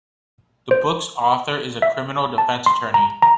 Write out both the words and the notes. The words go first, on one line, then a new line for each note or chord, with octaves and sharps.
The book's author is a criminal defense attorney.
C5
E5
A5
C6
A#5
A#5